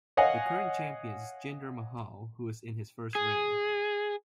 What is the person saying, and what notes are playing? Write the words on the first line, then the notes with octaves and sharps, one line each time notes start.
The current champion is Jinder Mahal, who is in his first reign.
C#5 D#5 F5 F#5 G#5
G#4